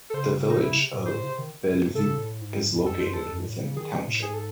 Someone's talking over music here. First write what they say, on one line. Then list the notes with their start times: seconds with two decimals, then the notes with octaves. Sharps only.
The Village of Bellevue is located within the township.
0.10 A4
0.14 C#3 C5
0.50 D#4
0.60 A2 E4
0.65 C3
0.71 C#3
0.83 C3
0.93 A2
1.06 G#2 C5
1.16 A2
1.24 C#3
1.28 C3
1.38 D#3
1.73 C3
1.95 C#3 A4
2.18 A2
2.41 G#2
2.77 E2
2.86 F#2 A4
3.00 F#2 C5
3.14 E2 A4
3.31 F#2
3.47 A2
3.62 C#3
3.76 D#3 G#4
3.93 C3
4.07 A2
4.22 G#2 G#4
4.34 A4